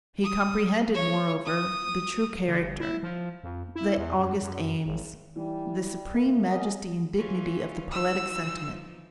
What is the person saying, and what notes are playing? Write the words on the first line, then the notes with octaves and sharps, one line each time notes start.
He comprehended, moreover, the true character, the august aims, the supreme majesty and dignity of the poetic sentiment.
D#6
C#5
D#6
D3
G1
E4
F3
F2
E4
E2
F#2
F#2
G#1
E3 G3
D2 A#3
C#4 D#5
E3 C#4 F4
E3 F3 D#4 E6